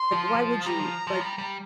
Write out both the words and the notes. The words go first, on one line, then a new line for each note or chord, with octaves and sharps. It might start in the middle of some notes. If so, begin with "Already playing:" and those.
why would you like,
Already playing: C6
F3
G3 A#5
F3
F3
G3
G3